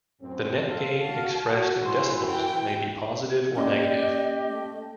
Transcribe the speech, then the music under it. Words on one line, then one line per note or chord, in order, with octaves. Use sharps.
The net gain expressed in decibels may be positive or negative.
F#2 A2 C4
C4 A4 F5
F#4 A5
E3 C5
G5
A#3 C#4 G4 D5 D#5
A3